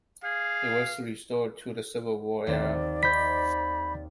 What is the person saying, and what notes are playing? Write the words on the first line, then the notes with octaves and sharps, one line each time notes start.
It was restored to the Civil War era.
G#4 F5
D#2 C4 D5
D#4 C5 B5 G6 B6